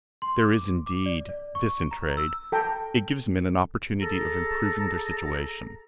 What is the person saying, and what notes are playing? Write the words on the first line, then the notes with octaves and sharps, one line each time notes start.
There is, indeed, this in trade:--it gives men an opportunity of improving their situation.
C6
D6
D6
D5
D5
C#6
A#5
E6
A4 G5 A5 A#5
G#4 A4 A5 A#5